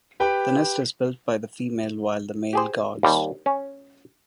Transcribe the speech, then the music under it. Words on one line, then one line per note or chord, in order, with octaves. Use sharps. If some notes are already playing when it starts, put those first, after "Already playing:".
The nest is built by the female while the male guards.
G4 B4 G5
G4 G#4 C5
D#2 G3
C#4